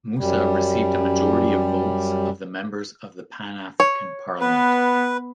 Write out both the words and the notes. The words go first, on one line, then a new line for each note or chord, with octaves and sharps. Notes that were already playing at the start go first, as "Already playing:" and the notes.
Moussa received a majority of votes of the members of the Pan-African Parliament.
F#2 G3
C#5
B3 B4